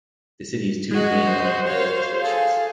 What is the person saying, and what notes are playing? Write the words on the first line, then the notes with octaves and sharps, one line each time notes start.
The city has two main line railway stations.
G#3 F#4 D#5
C5
C#5 F5
G#4 A4 F5